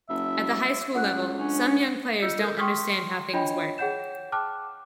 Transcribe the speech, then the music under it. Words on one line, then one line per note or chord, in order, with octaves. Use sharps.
At the high school level, some young players don't understand how things work.
F#1 E5
C#2 F#5 F#6
C#4 D4
F4 D#5 E6 G6 C#7
A4 A#4 G6
G5 C6 C#6 D#6 F6 B6
D4 F4 C#5 D#5 G5 B5
G#4 C#5 F#5 G5 G6 E7
G5 A5 D6 F6 F#6